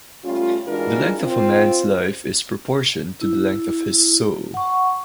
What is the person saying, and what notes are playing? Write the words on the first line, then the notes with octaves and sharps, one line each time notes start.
The length of a man's life is proportioned to the length of his soul.
G3 A3 C#4 F4
E3 G#3 D4 F4 F#4 A#4
C4 F4
E4
F#5 C#6